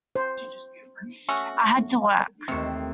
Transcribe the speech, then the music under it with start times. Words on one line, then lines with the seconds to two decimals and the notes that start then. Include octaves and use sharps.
I had to work.
0.16 C5
1.29 A3 C#4 F#4
2.48 D#2 C3 A3 C4 C#6